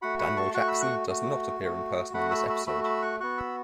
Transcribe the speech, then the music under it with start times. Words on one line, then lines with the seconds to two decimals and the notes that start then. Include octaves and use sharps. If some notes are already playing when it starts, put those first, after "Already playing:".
Daniel Jackson does not appear in person in this episode.
0.02 A3 F#4 F#5 B5
0.19 F#5 B5
0.37 A5 C#6
0.54 A3 F#4 C#6 F#6
0.68 B5 E6
0.81 C#6 F#6
1.08 A3 F#4
1.60 A3 F#4
2.14 A3 F#4 F#5 B5
2.31 B5 E6
2.50 B5 E6
2.67 A3 F#4 B5 E6
2.84 B5 E6
3.02 C#6 F#6
3.20 B3 F#4 C#6 F#6
3.37 B5 E6